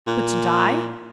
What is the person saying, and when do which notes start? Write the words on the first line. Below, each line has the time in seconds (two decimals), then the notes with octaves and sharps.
But to die?
0.07 A#2